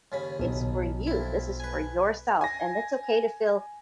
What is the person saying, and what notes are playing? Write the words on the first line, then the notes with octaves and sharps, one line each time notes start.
it's for you, this is for yourself. And it's okay to feel
D#2 C#3 B5
B1
F2 E4
B4 G#5
G#5 A#6